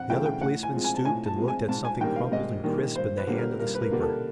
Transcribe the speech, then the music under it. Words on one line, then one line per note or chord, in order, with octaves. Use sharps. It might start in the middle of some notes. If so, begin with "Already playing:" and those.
The other policeman stooped and looked at something crumpled and crisp in the hand of the sleeper.
Already playing: F2 F#5
C#3 E3 A3 G5
G5
A2 F#5
G#5
F3 G#3 C4
G#5
A5
A2 G#5
A5
F3 G#3 C4
G#5
G#2 A5
G#5
D#3 G3 A#3 G5
F5
G#2 D#5
D#3 G3 A#3
G2 C5
B4
D3 G3 A#3
A#4
G2 A#4
B4
A#4
D3 G3 A#3
A4